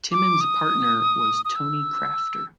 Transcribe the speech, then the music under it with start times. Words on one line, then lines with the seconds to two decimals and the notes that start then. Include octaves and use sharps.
Timmins' partner was Tony Crafter.
0.12 D6
0.41 D#6
1.45 D#6
1.56 E6